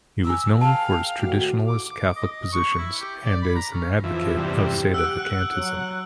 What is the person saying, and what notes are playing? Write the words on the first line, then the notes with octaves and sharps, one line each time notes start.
He was known for his traditionalist Catholic positions and is an advocate of sedevacantism.
G#5 A#5 D6 E6
G#4 A#4 F5 G5 A5
D#2 A2 F#4 G4
D6
D6
D#5
D#5
C#6
E4
G4
D5
B5
A#5
C#4
F2 E3 F3
E2 G2 C3 G4
F#5 E6 F#6 D7
F#3